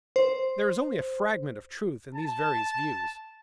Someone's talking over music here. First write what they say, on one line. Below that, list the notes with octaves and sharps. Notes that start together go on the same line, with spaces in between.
There is only a fragment of truth in these various views.
C5
A5